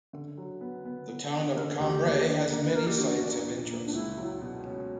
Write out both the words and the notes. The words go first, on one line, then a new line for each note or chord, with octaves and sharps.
The town of Cambre has many sites of interest.
D3
F#3
B3
B3
B3
B3
G4
D3 A#4
D2 G4
A#3
D4
A#3
B4
A#3 A#4
G4
D4 F#4
D4
A#2
A#3
D4
C#2 E4
F#3
B2
C#4